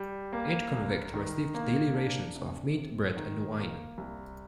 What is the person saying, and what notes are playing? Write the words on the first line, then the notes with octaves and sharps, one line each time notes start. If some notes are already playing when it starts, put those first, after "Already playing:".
Each convict received daily rations of meat, bread, and wine.
Already playing: G3
A#3
C2
D#3
A#3
D4
C3
C3
D#3
A#3
C2